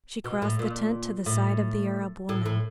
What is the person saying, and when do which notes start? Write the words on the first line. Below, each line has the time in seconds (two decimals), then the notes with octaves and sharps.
She crossed the tent to the side of the Arab woman.
0.24 B2
0.42 A2
0.59 A#2
1.26 A2
2.29 A2
2.46 A2